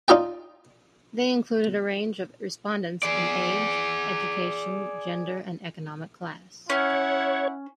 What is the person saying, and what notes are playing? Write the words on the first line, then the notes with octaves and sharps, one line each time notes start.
They included a range of respondents in age, education, gender, and economic class...
D#4 F4 D5 G5
G#4 D5
C#4 E4 C#5 F#5